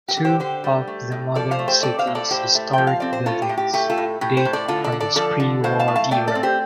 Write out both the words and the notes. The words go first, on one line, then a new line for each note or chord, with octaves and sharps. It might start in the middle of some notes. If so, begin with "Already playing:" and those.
Two of the modern city's historic buildings date from this prewar era.
G4
D3
G4 C5
D3 G4 C5
G3
A3
A2
F3 A4 D5
C5 F5
A3
G4 C5
C4 A4 D5
C5 F5
A2
A4 D5
A2 G4 C5
A3
F3 G5
F5
C4 D5
C5
A2 F4 A4
G4
A2
G4
A3 G4
F4 A4
A2
A2 G4
G4 C5
A2
A4 D5
D3 F4 A4
A4 D5
D3
A4 D5
F3 A4 D5
D3
A2 C5 F5
F5 A5
A3
F5 A5
A3 D5 G5
A4 D5
C4
G4 C5